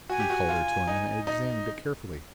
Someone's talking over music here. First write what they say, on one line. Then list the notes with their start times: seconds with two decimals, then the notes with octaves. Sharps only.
He called her to him and examined it carefully.
0.10 F#4 G#5
0.20 G4
0.30 F#4
0.49 F4
0.87 D#4
1.27 D#4